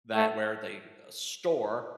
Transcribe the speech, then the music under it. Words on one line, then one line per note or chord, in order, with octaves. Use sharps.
that where they store
A3